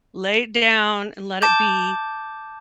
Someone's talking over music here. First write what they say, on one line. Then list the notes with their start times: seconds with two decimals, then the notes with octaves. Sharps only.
lay it down and let it be,
1.42 A5 D6 G6